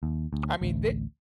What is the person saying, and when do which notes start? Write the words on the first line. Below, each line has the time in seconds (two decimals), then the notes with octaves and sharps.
I mean, they
0.03 D#2
0.33 D2
0.61 A1 D2